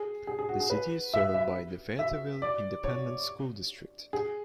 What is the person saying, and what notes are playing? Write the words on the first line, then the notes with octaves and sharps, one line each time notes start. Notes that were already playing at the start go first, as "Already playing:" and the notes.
The city is served by the Fayetteville Independent School District.
Already playing: G#4
G#4
G#4
F#4
G#4
B4
E5
E5
E5
D5
C#5
G#4